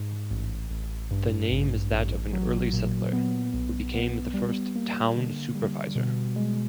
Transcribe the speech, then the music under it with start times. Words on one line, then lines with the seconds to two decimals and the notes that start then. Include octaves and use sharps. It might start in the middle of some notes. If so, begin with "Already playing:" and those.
The name is that of an early settler, who became the first Town Supervisor.
Already playing: G#2
0.31 A1
0.70 A1
1.11 G2
1.51 A1
1.92 A1
2.33 F#3
2.73 A#2
3.13 B3
3.54 B1
3.94 B3
4.34 G3
4.75 A#3
5.16 D3
5.55 G3
5.95 B2
6.36 G#3